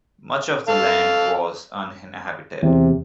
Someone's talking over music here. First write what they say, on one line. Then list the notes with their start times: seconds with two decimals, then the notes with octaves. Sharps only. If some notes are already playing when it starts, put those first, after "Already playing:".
Much of the land was uninhabited.
0.68 A4 F5
2.63 E2 C3